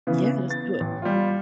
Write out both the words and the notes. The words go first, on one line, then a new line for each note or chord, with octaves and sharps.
Yeah, just do it.
C#3 E3 B3
B3 A6
A1
G3 F4